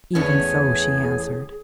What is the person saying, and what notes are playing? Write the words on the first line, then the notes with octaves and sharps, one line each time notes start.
"Even so." she answered.
E2 A2 B3 C#4 G#4 G#5